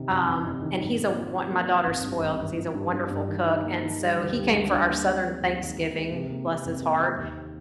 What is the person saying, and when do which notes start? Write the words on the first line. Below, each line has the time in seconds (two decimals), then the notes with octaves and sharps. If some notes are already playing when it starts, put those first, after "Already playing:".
um, and he's a wo my daughter's spoiled because he's a wonderful cook, and so he came for our southern Thanksgiving, bless his heart,
Already playing: C3 D#3
0.10 F2
0.27 F1
0.45 F1
0.62 D#3
0.80 G#2
0.98 A#3
1.16 F4
1.34 F4
1.51 A#3
1.68 F4
1.87 G#1
2.04 G2
2.22 G#1
2.40 G#1
2.58 F3
2.75 G2
2.93 G2
3.10 G2
3.28 D#3
3.46 D#4
3.63 A#3
3.81 D#3
3.99 G3
4.17 D2
4.35 G3
4.52 D2
4.70 D3
4.87 A#3
5.05 C4
5.22 G#3
5.41 D#2
5.58 D#2
5.76 D#2
5.94 G#3
6.12 C3
6.29 A#3
6.47 C3
6.65 F2
6.83 A#3
7.00 A#3
7.17 D#2